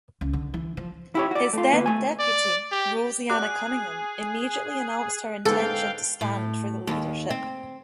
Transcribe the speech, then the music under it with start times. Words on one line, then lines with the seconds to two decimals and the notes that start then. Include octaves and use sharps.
His then-depute, Roseanna Cunningham, immediately announced her intention to stand for the leadership.
0.21 C#2
0.33 D3
0.54 E3
0.77 F3
1.15 E4 G4 C#5
1.31 F#4 D5
1.53 A3 F4
1.72 D2 A#3 B3 B4
1.86 A3 G#5
2.19 D5
2.72 G4
3.30 F#4 G#4 D5 D6 F#6
5.45 G#2 D3 B3 A4 F5 G5
6.21 A2
6.87 D#2
7.30 C4